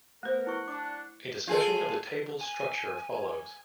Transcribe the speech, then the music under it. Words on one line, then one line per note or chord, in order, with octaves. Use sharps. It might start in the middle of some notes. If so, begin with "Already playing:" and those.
A discussion of the table's structure follows.
A3 B3 A#4 C5
E4 F#5 C#6
D4 D6
F4 G#4 A4
G#5